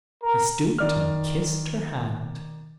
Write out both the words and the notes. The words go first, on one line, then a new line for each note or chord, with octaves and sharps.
He stooped and kissed her hand.
A#4
D#3 D5 F6